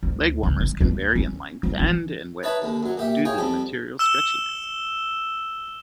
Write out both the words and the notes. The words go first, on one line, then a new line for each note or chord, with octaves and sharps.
Leg warmers can vary in length, and in width, due to the material's stretchiness.
D2
C#2
D#3
D#2
C#4
F3
E3
D#4 B4 C#5 E5 A5 B5
D#2 D3
F#2 F#3
A#2 G4 E5
D#4 F4 G#4 C#5 G5
F2 G3 A4
E6 E7 G7